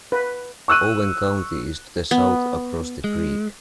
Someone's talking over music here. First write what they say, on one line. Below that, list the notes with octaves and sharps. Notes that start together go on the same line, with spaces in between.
Owen County is to the south across the creek.
B4
C#6 E6 F#6 D#7
B3
G#3